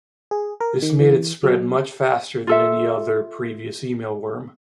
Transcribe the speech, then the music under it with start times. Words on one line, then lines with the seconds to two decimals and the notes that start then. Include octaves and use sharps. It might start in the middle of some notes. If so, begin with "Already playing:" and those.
This made it spread much faster than any other previous email worm.
0.31 G#4
0.60 A#4
0.82 D#3
1.00 E3
1.43 F#3
2.47 F4 A4 E5